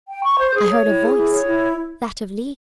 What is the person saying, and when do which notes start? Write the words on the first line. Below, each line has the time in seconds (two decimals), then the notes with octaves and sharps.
I heard a voice, that of Leo.
0.09 G5
0.24 C#6
0.39 C5
0.54 G#4
0.70 C#5
0.85 E4
1.00 G#4
1.16 E4
1.31 C#5
1.46 E4